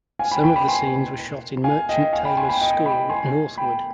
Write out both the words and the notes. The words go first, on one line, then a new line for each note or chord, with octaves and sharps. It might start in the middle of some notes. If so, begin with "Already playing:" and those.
Some of the scenes were shot in Merchant Taylors School, Northwood.
F5 G#5
G5 B5
G5 B5
G5 B5
G#5 C6
F5 G#5
D#5 G5
F5 G#5
G5 B5
G#5 C6
G5 B5
D#5 G5
G5 B5
G#5 C6
G5 B5